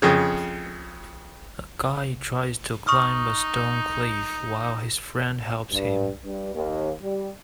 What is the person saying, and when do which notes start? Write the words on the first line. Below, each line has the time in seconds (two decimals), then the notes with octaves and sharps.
A guy tries to climb a stone cliff while his friend helps him.
0.02 F2 C#3
2.87 D#4 C#6 D#6 F6
5.71 G2
6.24 G2
6.54 D#2
7.01 G3